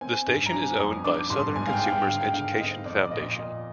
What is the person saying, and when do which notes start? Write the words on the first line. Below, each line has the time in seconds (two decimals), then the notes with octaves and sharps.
The station is owned by Southern Consumers Education Foundation.
0.01 C4 G#5
0.27 G2
0.46 A#5
0.52 D4 G#5
0.79 F2
1.04 D4 D6
1.30 G2 C6
1.56 G#2 G#5
1.67 F5
1.73 G5
1.82 G#2 F5
1.90 G5
2.07 D3 F5
2.21 G5
2.33 D3 F5
2.60 C4 D#5
2.85 F2 D5
3.02 D5
3.11 A#2 D#5
3.36 A#2